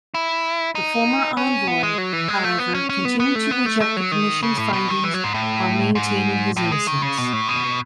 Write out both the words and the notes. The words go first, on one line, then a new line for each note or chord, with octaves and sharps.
The former envoy, however, continued to reject the Commission's findings while maintaining his innocence.
E4
D#4
C#4
B3
G#3
F#3
E3
G#3
A3
B3
C#4
C#4
B3
B3
A3
B3
A3
A3
F#3
D#3
C#3
A2
B2
D#3
E3
F#3
G#2
A2
G#2
A2
G#3
D#3
C#3
B2
A2
B2